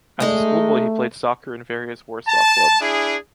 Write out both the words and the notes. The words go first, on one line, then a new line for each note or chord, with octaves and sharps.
As a schoolboy he played soccer in various Warsaw clubs.
G#3 A3 D#4
A5
D4 E4 G#4